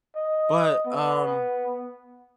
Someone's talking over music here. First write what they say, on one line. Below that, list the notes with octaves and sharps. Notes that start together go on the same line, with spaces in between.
But, um
D#5
B3